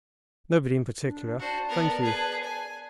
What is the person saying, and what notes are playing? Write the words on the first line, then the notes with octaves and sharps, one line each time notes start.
"Nobody in particular, thank ye."
D4
F#4 C5 D5 A5
B3 A#4
G#4 B4
G#5